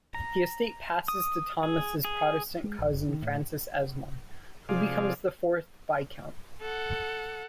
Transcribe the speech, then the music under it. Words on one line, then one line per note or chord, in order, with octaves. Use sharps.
The estate passes to Thomas's Protestant cousin Francis Esmond, who becomes the fourth viscount.
A#5
D#6
G#4
G#4
G#3
A1
F#1
D#3
A2
C3 F3 G#4 D5 F5
A4 F#5